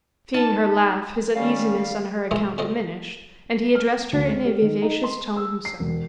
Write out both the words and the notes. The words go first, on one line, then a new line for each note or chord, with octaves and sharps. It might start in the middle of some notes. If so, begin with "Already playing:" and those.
Seeing her laugh, his uneasiness on her account diminished, and he addressed her in a vivacious tone himself.
D#4 A5
D#3 G3 A3 C#4 F5
D#3 F3 G#3 D#4 E4
D3 C4 F4 C5 D#5
F6
D2
G#3
G4
D#3
D#4
C6
E6
C7
E1